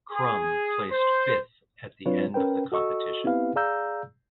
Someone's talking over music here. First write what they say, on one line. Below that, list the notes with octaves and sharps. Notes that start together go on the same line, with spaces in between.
Krumm placed fifth at the end of the competition.
G#4
C5
F#3 C4 D4 F4 B4 C#5
C#4 A#4 B4 G5
F#4 A4 D#5 C#6 E6
B3 C4 E4 G4 B4 F5
G#4 D5 F5 A#5 E6 G6